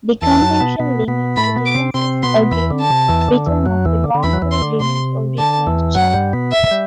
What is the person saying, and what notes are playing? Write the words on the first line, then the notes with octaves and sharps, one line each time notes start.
The Convention limits the defenses against return of a wrongfully removed or retained child.
E2 E3 A5
F#2 F#3
B2 B3
B2 B3
B2 B3
A2 A3 B5
B2 B3
D6
C3 C4
C3 C4 C6
B2 B3 C6
E2 E3 B5
D3
A5
C3
E2 E3
D3
E2 E3
F#2 F#3
E2 E3
D3
D3
E2 E3 B5
F#3
E2 E3
C6
D3
C3 C6
D3 A5
E2 E3
F#2 F#3 F#5
G2 G3
B2 B3
E5
G3